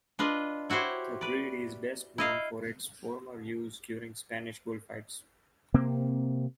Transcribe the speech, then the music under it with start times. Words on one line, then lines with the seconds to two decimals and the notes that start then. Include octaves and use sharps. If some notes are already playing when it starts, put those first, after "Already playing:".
The breed is best known for its former use during Spanish bullfights.
0.19 D4 F4 B4 D#5
0.70 E4 F#4 G4 C5 C#5
1.21 B4 D5
2.18 E4 D#5 F5
5.74 C3 A#3 C4